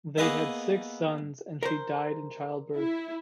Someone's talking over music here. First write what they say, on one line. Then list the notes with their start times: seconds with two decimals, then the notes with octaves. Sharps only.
They had six sons and she died in childbirth.
0.18 A#3 B3 G#4 B4 D#5 E5
1.63 A#4 C5
2.75 E4